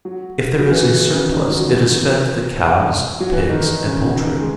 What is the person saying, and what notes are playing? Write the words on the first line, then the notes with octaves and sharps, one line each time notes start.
If there is a surplus it is fed to the calves, pigs and poultry.
F#3
F#3
E3
F#3
C#3
D#3
F#3
F#3
E3
F#3
E3
D#3
D#3
C#3
C#3
D#3
G#3